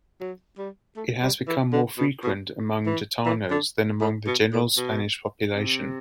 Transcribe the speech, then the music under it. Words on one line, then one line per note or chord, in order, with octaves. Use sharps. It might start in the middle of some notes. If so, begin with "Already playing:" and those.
It has become more frequent among Gitanos than among the general Spanish population.
F#3
G3
A3
G3
E3
D3
B2
B2
E3
E3
D3
A2
B2
A2
B2
C3